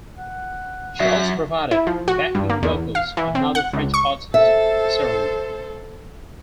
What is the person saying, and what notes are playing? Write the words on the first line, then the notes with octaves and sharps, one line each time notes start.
She also provided backing vocals for another French artist; Cerrone.
F#5
F#2 F#4 E5
E4
F3
F#4
G2
A#3
E2
F5
E3
C4
F#5
C#2
C#6
A4 C5 E5